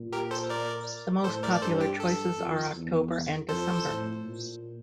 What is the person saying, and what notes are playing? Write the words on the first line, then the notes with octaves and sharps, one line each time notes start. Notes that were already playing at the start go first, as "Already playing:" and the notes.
The most popular choices are October and December.
Already playing: A#2
G4 A#4
A4 C5
A#4 D5
A2 A4 C5
A#4 D5
D5
G2 A4 C5
G4
G2 A4
F2
E2
F2 A4 C5
A2
A#2